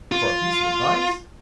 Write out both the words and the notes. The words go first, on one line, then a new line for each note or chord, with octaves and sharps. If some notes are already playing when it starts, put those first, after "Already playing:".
For a piece of advice!
F4